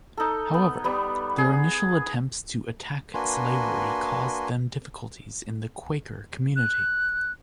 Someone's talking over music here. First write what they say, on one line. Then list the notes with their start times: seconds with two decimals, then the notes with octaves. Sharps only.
However, their initial attempts to attack slavery caused them difficulties in the Quaker community.
0.17 D#4 A4
0.54 B3
0.84 G3 B3
1.38 G#4
3.14 A#3 D4 F#4 B4 G#5 C6
6.56 F#6